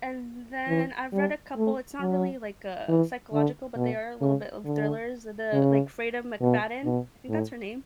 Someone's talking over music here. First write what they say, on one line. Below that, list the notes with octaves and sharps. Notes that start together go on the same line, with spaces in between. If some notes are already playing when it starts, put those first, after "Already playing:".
And then, I've read a couple it's not really, like, uh, psychological, but they are a little bit of thrillers. The, like, Freida McFadden. I think that's her name.
E3
G3
A3
F#3
E3
D3
B2
C#3
D3
C#3
B2
B2
A2